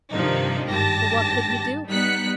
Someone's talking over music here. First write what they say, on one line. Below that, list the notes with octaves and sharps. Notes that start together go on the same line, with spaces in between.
But what could he do?
G2 C3 D#3 F3 D4 D#4
G#1 G2 G4 A5 A#6
G3 B3 D#4 F#6 B6 C#7